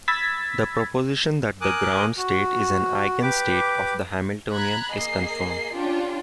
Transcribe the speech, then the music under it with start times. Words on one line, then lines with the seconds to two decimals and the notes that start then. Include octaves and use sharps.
The proposition that the ground state is an eigenstate of the Hamiltonian is confirmed.
0.08 B5 E6 G#6 A6 B6
1.61 A#4 G#5 D6 D#6 F#6
2.17 F#4
3.22 G4 B4 D6
4.50 A#5 B5 F#6 G#6
4.92 A#3 G#4 D#5 C7
5.72 C#4 D4 F4 G4